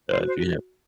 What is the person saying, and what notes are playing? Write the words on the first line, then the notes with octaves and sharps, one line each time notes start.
Uh, do you have
C5
F#4
C5